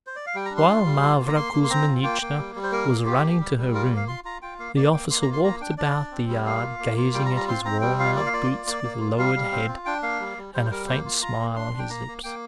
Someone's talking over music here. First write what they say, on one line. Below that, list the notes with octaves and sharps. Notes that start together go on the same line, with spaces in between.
While Mavra Kuzminichna was running to her room the officer walked about the yard gazing at his worn-out boots with lowered head and a faint smile on his lips.
C5
D5
F5
G3 G5
A#5
D4
C6
F4
G3
F4
A#3
A#5
A#3 C6
A#3
C6
C4 A#5
F4
A#3 G5
A#3
G3
G3
C5
A#3 A#4
A#3
F4 G4
A#3
G3
G3
F4 A#4
A#3
F5
F4 C6
F4 A#5
F4 G5
A#3 F5
A#3 D5
A#3 G5
A#3 C6
A#5
F4
C6
A#3 A#5
D4 G5
D4 D5
D4
C4
G3
A#3 F5
F4
A#3
F4
G3 G5
A#5
F4
A#5
C4 C6
C4 A#5
G3 G5
F4 F5
A#3 D5
F5
F4 D5
A#3
A#3
A#3
F4
G3 F5
G3
C4
F4
D4 G5
A#3 F5
G3
G3
G3 C5
C5
G3 A#4
A#3 C5
F4
F4 A#5
A#3
D4 C6
D4
G5
A#3 A#5
A#3
A#3 G5